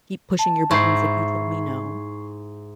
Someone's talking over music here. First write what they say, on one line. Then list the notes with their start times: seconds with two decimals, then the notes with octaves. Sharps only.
keep pushing your buttons if you told me "no."
0.39 A5
0.71 G#2 E4 C#6 C7